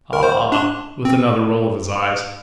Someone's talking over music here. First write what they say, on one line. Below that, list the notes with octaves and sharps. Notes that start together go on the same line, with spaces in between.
'Ah!' with another roll of his eyes.
A#4
C5
D4
C4